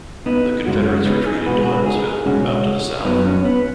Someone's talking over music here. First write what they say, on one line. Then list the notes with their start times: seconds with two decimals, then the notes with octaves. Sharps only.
The Confederates retreated to Huttonsville, about to the south.
0.26 B3 D#4
0.66 F#2 C#3 G#3 C#4 F#4
0.86 C#4
1.06 B3 D#4
1.26 D#4 G#4
1.45 C#2 B2 G#3 F#4 B4
1.60 G#4
1.66 F#4 B4
1.86 D#4 G#4
2.25 C#2 B2 G#3 C#4 F#4
3.05 F#2 F#3 B3 D#4
3.25 C#4
3.45 B3